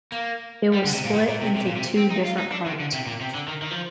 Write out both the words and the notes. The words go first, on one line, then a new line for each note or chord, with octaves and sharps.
It was split into two different parts.
A#3
G3
D3
C3
A#2
A2
A#2
C3
C3
A#2
C3
C4
D#4
F4
D#4
D4
D#3
D3
C3
A#2
C3
D3
D#3
D#3
F3